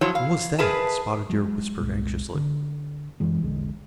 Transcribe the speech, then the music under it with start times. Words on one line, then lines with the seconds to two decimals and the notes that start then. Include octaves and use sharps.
"What was that?" Spotted Deer whispered, anxiously.
0.01 F3 F#3 E4 C#5
0.15 F5
0.59 G#4 A#4 B4 E5 A5
1.30 F#3 G#3
1.80 F#1 C2 A#2 G#3
2.35 D3
3.20 F#2 E3 G#3
3.42 E1 A#1 D3 G#3